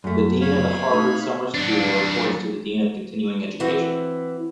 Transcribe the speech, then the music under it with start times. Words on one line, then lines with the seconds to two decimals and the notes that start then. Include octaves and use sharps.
The Dean of the Harvard Summer School reports to the Dean of Continuing Education.
0.04 F#2 A3
0.41 C#5 F5 B5
0.91 A3 D#4
1.54 F#3 D4
3.60 E3 C4 F#4